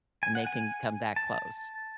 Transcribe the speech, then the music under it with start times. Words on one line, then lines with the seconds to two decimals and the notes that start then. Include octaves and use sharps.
and they can come that close.
0.23 G#5
0.35 F#5
0.46 G#5
1.16 A5